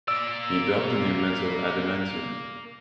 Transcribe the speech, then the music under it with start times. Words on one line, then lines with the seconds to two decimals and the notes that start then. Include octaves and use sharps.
He dubbed the new metal adamantium.
0.08 A#3 D5 E6